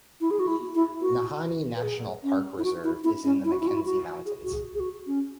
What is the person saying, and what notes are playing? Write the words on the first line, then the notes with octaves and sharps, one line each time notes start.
Nahanni National Park Reserve is in the Mackenzie Mountains.
E4
G#4
F#4
E4
E4
F#4
B4
G#4
C#4
E4
F#4
E4
E4
C#4
E4
F#4
E4
F#4
E4
F#4
G#4
F#4
G#4
G#4
F#4
C#4